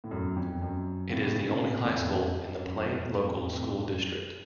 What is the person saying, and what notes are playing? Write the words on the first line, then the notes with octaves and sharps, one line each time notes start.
It is the only high school in the Plain Local School District.
A2
F#2
F2
F#2
A2 C3
A#2 C#3
C#3
A2 C3
F2 A2
F2
F#2
F2 A2
A2
F#2
F2 A2
A2 C3
F#2